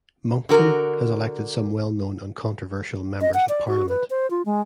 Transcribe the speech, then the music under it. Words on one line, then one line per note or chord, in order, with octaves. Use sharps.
Moncton has elected some well-known and controversial Members of Parliament.
D3 F#4 A#4
D#5
F#5
D5
F#4
B4
C5
F4
G#3